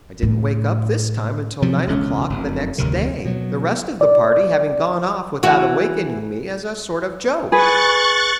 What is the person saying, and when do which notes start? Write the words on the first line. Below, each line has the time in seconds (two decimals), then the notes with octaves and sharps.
I didn't wake up this time until nine o'clock the next day, the rest of the party having gone off without awakening me as a sort of joke.
0.22 A2
1.62 C3 F3 F#3
1.87 E1 C#2 C#4
2.30 F1 F#2
2.78 F1 D2 C3 D#3
3.25 B2 F#3
4.01 D5
5.43 E3 F#4
7.52 G#4 B4 C#6 F#6 A6